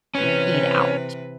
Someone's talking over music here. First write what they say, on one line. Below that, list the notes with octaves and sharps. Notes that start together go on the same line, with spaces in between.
eat out."
C3 E3 C#4 B4